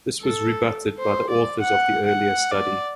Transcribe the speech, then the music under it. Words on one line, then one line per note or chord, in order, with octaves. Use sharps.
This was rebutted by the authors of the earlier study.
A4
C5
D5
F#5
F#5
D5